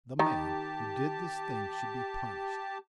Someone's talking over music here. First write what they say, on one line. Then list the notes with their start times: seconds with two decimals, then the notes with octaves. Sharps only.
The man who did this thing should be punished.
0.19 D#3 G4 A5